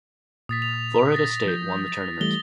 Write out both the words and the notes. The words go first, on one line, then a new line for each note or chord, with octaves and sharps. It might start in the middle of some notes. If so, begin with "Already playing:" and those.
Florida State won the tournament.
A#2 D#6 A6 B6
F7
D#6 A6 A#6
F3 G6
E3 G3 A3 G7